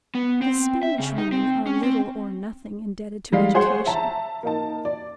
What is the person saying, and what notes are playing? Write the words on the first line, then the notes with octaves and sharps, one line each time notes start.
The Spanish women are little or nothing indebted to education.
B3
C4
E5
C#3
D#4
C4
C#4
C4
G3 G#3 F5
G#4 C5 C#5 F#5 C6
E5 A5 A#5
A#3 D#4 A5
D5